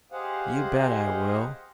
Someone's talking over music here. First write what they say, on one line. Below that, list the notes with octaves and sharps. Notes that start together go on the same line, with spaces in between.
You bet I will!
G4 G#4 C5 D#5 F5 F#5